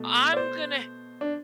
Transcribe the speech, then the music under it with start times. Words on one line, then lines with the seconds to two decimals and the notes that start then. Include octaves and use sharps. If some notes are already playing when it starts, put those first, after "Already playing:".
I'm gonna
Already playing: B2 A3
0.33 D5
0.37 C5
1.21 D4